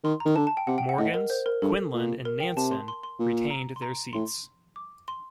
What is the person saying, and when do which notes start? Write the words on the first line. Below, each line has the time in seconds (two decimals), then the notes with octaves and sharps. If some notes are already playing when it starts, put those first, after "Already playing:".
Morgans, Quinlan and Nanson retained their seats.
0.04 D#3 C6
0.20 A#5
0.25 D#3
0.36 D3 A5
0.47 A5
0.57 G5
0.67 C3 F#5
0.78 G5
0.89 F#5
0.98 A2 D#5
1.14 A#4
1.30 C5
1.46 A#4
1.62 G2 A4
1.94 A#2
2.25 A#4
2.40 G5
2.56 C3 A5
2.72 C6
2.88 C6
3.03 C6
3.19 A#2
3.50 A#5
3.76 C6
3.82 A#5
4.13 A2 C6
4.76 D6
5.08 C6